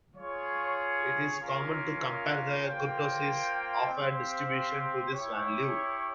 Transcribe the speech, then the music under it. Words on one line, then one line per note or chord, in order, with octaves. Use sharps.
It is common to compare the kurtosis of a distribution to this value.
F4 G#4 C#5
A#3 C#4 F4 A#4 F5
A#3 F4 C5 G5
C4 G4 C5 F5
E4 G4 C#5